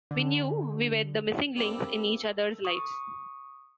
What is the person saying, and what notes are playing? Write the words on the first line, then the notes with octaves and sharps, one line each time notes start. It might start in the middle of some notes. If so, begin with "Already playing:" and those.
We knew we were the missing links in each other's lives.
D3
G3 A#3 C4 D4 E4
C#6 D#6